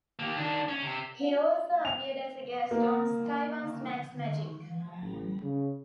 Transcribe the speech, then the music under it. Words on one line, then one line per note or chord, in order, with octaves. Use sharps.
He also appeared as a guest on Sky One's Max Magic.
A#3 G4
D#3 D4
C#4
C3
F7
A#3
A1
C#3